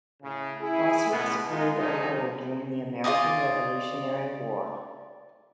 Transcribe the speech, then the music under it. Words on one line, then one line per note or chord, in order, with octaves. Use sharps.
Crosswicks played a role during the American Revolutionary War.
A2 C#3
E4 G#4
C#2 B2 B3
G#3 D#4 F4
C3 D#3 F3 G3 D#4 G#4
F4 G#4 D5 D#5